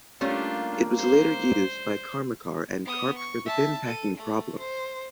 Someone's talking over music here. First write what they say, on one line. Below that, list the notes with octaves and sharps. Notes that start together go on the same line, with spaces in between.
It was later used by Karmarkar and Karp for the bin packing problem.
G3 A3 A#3 C#4 D4 F4
C5
B3 D#6
C#6
E5 A5
A4 D#7
A3
C5